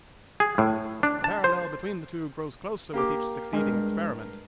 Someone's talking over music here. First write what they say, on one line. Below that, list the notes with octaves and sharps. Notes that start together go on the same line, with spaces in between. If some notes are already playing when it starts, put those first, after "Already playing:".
The parallel between the two grows closer with each succeeding experiment.
G#4
A2
D4
A5
C5
A#3 G4 D6
G2 G#3 A#4